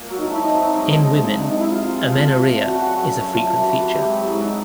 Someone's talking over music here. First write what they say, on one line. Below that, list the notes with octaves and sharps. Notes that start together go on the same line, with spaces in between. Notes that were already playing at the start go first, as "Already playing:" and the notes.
In women, amenorrhoea is a frequent feature.
Already playing: A#2
F#3 F#4
D#4
A3
E4
C4 D#4
F#3
G#2
F3
G#2
G#2
D#4
C3 D4
C3 D#4
E4
G#3 F4
C3
D3
D3
A3
D3
C#3 F#4
F#2
F#2 F#4
F#2
A3 F4
C3
E3 F#4
E3 F#4
G#2 G4
F#3
G#2 E4
F#3 D#4